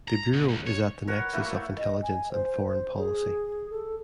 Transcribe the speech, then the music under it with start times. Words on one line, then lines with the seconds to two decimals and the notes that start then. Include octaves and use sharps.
The Bureau is at the nexus of intelligence and foreign policy.
0.08 A#5
0.33 B2
0.48 C#2
0.67 C#5
1.08 A#4 C#5 F#5 B5
1.33 A3 A#3 E4 F#4
1.78 D#5
2.03 G#5
2.32 C5
2.69 C5
2.97 G#4
3.71 A4